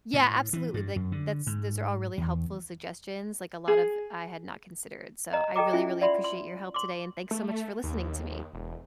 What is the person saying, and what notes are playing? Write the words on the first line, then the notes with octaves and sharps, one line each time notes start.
Yeah, absolutely, like, that's those are all really helpful suggestions, like, a lot of I had not considered, so, I really, really appreciate your help today, and thanks so much for listening to me.
A2
E3
G2
F#2
D3
G#2
E2
G#4
D#5 A#5
A4 D#5 G5 A#5 D6
C#4 E4 F4 E5 G#5
D5 E5 F#5 B5 C6
C6
C6 D6
A3
D#2
E1